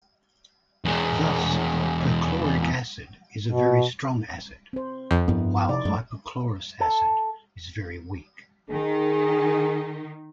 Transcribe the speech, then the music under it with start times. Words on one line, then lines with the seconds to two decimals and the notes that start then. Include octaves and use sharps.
Thus perchloric acid is a very strong acid while hypochlorous acid is very weak.
0.85 E2 G#3
3.47 B2
4.73 C4 C5
5.11 F2
5.28 G2 F3 B3 E4 A#4
5.69 C3 D#4 D5
5.85 F#2 F#3 G#3 A3
6.80 A4
8.70 D#3 D#4 G#4